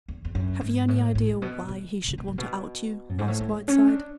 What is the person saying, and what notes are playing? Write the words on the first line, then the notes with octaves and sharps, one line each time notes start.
"Have you any idea why he should want to out you?" asked Whiteside.
E2
E2
F#2
G#2
A2
A2
B2
B2
C#3
B2
A2
B2
F#2
G#2
A2
A3
G#3
C#4
D4